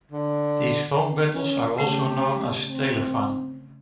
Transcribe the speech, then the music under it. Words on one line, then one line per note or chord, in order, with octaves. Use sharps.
These phone battles are also known as Telefang.
D3
C#4
C#3 A3 C#4 G4
C4